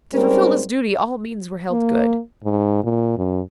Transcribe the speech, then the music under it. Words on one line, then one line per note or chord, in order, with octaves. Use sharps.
To fulfil this duty all means were held good.
G#2 G3 C4 C#4 A#4 C5
A#3
G#2
A#2
F#2